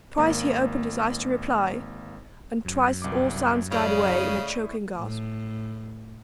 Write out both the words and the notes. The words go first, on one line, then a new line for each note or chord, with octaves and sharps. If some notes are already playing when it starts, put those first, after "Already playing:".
Twice he opened his eyes to reply, and twice all sounds died away in a choking gasp.
G#1 A#3
F#2
G1 C2 D6
A2 C#3 D5 D#5
A2